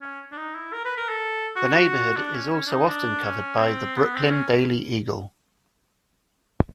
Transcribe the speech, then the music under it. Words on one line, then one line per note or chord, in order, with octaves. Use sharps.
The neighborhood is also often covered by "The Brooklyn Daily Eagle".
C#4
D4
D#4
E4
A#4
B4
A#4
A4
F#4
F#4
F#4
D4
C#4
C#4
D4
D#4
D4
C#4
C4
B3
C4
C#4